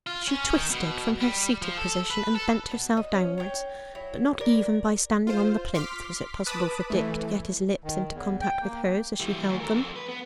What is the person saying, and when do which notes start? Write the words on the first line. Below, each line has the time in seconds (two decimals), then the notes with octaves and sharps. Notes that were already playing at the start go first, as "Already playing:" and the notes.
She twisted from her seated position and bent herself downwards, but not even by standing on the plinth was it possible for Dick to get his lips into contact with hers as she held them.
0.07 F4
0.28 C#4
0.55 D#3
0.70 B2
1.20 G3
1.62 F3
1.78 A4
2.10 B4
2.35 A4
2.71 B2
2.97 D#5
3.14 C#4
3.38 C#5 G5
3.95 F#3 E4
4.40 A2 E3 A#4 D5
5.27 F4 C5
5.75 C6 D6 F6 B6
6.47 B4 A5 B5 D6 D#6
6.90 E3 A3
7.84 D#3
8.13 E2
8.41 G5
8.61 A#3
9.20 E3 G3
9.49 D2
9.60 A4 A#4
9.74 F2
9.96 B4
10.09 B3